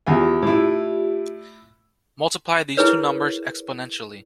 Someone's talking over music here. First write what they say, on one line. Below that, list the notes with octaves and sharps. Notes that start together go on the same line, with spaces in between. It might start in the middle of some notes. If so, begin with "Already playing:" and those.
Multiply these two numbers exponentially.
E2 F4 G4 D5 E5 G#5
A2 E4
E4 G#4 A#4 B4 C#5